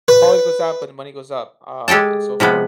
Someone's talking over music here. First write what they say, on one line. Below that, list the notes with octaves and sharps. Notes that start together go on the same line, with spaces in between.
quality goes up, but the money goes up, uh, and so forth,
B4
G#3 G4 A4 G5 A5
C3 F3 G#3 B3